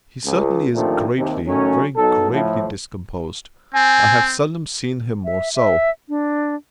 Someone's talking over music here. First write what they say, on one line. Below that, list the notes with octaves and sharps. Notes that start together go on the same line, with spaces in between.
He certainly is greatly, very greatly discomposed; I have seldom seen him more so.
C#2
D#2 A#2 D3 F3 A3 C4
D#2 C3
D#3 F#3 A3 C#4
B2 F#3 D#4 A4
A2 F3
C4 G#5
E5
E5
D4